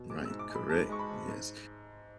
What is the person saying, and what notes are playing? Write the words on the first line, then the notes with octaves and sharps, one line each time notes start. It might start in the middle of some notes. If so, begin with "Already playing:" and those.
Right, correct, yes,
Already playing: B2
G#3 D6
E6
G#2
D6
G#3
B5
G#2 A5
G#3 C#6
B5
G#2
G#2